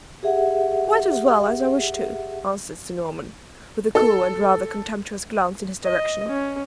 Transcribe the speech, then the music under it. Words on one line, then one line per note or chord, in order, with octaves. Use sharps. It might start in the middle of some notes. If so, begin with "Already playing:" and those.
"Quite as well as I wish to," answered Sir Norman, with a cool and rather contemptuous glance in his direction.
G4 G#4 E5 F#5
A4
D#5
C#4